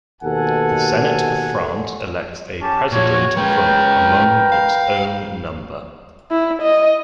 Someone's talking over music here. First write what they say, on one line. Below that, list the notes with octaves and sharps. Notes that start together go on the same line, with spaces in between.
The Senate of France elects a president from among its own number.
D#2 B2 A4 F#5 G#5
C#4 G4 A5
A#2 F3 F#4 C#5
G#3 C#4 A#4 B4 G5
F5
E4
D#5